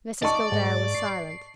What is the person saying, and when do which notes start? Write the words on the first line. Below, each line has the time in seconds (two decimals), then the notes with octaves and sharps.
Mrs Gildea was silent.
0.23 D5 D#5 A5 C#6
0.52 G#2
0.95 C7